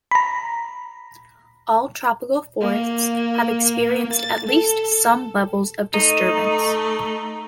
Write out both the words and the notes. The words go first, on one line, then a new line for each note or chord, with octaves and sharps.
All tropical forests have experienced at least some levels of disturbance.
A#5 B5
A#3
A6
A4
A3 D#4